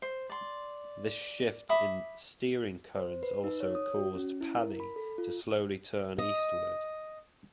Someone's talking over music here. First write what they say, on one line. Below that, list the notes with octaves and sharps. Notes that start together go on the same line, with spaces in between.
This shift in steering currents also caused Pali to slowly turn eastward.
C5
D5 C6
E5 B5 D6 D#6
C5
B4
D#4
C#5
D#6
F#4
C#4
E4
A#4
B5
A4
F4
D#5